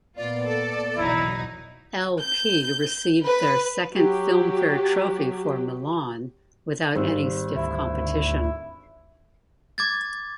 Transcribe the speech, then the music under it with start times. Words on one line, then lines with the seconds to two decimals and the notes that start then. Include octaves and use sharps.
L-P received their second Filmfare Trophy for "Milan" without any stiff competition.
0.17 A#2 A#3 B3 F4 D5
0.45 A4
0.97 F#1 B1 E2 F#3 D#4 E4
2.20 G6
3.23 B4
3.94 F#3 G4
6.96 G#1 G3 C5 E6
7.56 D2 E4
9.78 D6 G#6 A6